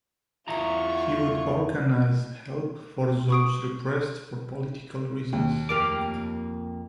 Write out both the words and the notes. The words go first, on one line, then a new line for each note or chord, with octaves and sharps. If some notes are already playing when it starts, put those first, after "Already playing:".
He would organize help for those repressed for political reasons.
E2 E4 F4 A#5 C#6
C#6 D#6 D7
D#2
F2 A#3 G4 D6 F6